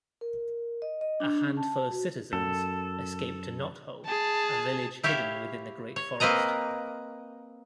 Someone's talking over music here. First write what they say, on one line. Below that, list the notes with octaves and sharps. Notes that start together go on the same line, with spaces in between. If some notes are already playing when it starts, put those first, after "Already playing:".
A handful of citizens escape to Knothole, a village hidden within the Great Forest.
A#4
D#5
D#5
D4
C#4
A5
F#4
F#2 A4
G#4 A5
E4 G4 C#5 E5 F5
C#5
A#3 C4 B4 D#5 A#5